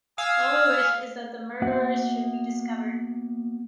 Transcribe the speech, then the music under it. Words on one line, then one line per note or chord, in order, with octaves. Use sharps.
All we wish is that the murderers should be discovered.
F5 G#5 D#6 E6
A#3 B3 F#4 E5 F#5